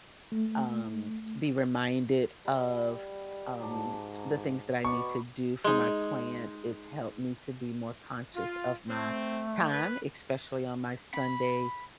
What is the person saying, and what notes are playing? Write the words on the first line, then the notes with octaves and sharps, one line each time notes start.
um, be reminded of, um, the things that I need to do for my plant, it's helped me to be more conscious of my time, especially on my Sunday
A3
G3 B4 D#5 F#5
G#2 F#3 G4 A5
B2 F#3 D5 B5 C#6
G#3 D#4
F4
A3 C4
B4
B5